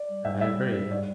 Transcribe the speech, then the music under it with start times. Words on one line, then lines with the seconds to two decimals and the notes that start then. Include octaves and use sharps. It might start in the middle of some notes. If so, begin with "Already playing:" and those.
Yeah, I agree, yeah.
Already playing: D5
0.09 G3
0.25 G3 E5
0.41 E5
0.90 G3 D5